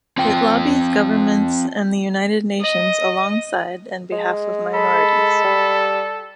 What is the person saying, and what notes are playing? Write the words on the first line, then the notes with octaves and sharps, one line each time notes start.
It lobbies governments and the United Nations alongside and behalf of minorities.
C4 F4 G5
D#5
G#3
A4 B5
G3